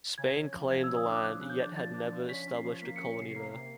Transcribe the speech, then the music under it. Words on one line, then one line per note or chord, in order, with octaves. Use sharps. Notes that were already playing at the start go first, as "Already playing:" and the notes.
Spain claimed the land yet had never established a colony there.
C#3 G#6
C#3
F3
F3 G#6
C#3 E6
D#6
D4 D6
F3 F#6
C#3
G6
D4
F3 A6
D4
F3
C#4 B6
C#4
C7
F3
A#3 B6
C#4 C#7
C3 C7
A#3 C7
C3